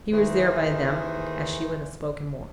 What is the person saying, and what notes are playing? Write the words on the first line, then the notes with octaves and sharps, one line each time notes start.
He was there by them as she would have spoken more.
D#2 D#3 E3 G#4 C5